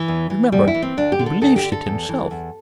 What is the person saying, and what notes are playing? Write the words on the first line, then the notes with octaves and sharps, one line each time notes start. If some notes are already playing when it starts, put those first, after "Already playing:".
Remember he believes it himself.
Already playing: E3
E2
E3
E2 G3
E4
E3
C4
D2 D4
G4
D3
A4
D2 A4
G4
D3
A4
E2
E3
E2